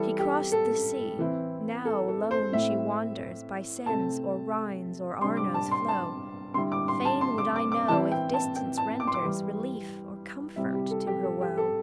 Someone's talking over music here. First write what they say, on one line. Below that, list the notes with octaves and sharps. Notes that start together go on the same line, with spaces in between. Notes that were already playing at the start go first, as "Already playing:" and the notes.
She crossed the sea--now lone she wanders By Seine's, or Rhine's, or Arno's flow; Fain would I know if distance renders Relief or comfort to her woe.
Already playing: E3 G3 E4 A4
G4
A4
E3 C4 E4
A4
A4
C5
A2 A3 C4 E4 E5
C3 A3 C4 A5
C3 G3 D4 C6
D6
A5
C6
A5
D3 G3 E4 C6
D6
C6
A5
C6
D6
D6
D6
E3 C4 E4 A5
G5
A5
G5
A5
D6
C6
D6
E3 G3 E4
C3 G3 C4 E4 E5
G4
A4
G4
A4
G4
A4